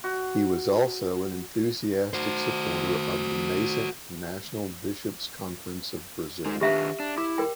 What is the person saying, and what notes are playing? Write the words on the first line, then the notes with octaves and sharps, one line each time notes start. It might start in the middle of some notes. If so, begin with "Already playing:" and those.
He was also an enthusiastic supporter of the nascent National Bishops Conference of Brazil.
F#4
F#4 C5
G#3 D#4
D#3 D4 G4 B4 E5 F5
D4
E4 D6
A#4 G5